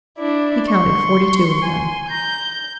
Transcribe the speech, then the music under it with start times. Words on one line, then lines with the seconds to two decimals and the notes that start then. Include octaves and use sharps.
He counted forty-two of them.
0.18 D4 E4 D5
0.67 C6 C#6
1.62 G#5
2.10 A#5 G6